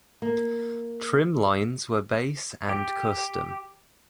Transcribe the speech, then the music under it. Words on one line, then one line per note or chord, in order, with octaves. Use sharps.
Trim lines were base and Custom.
A#3
G4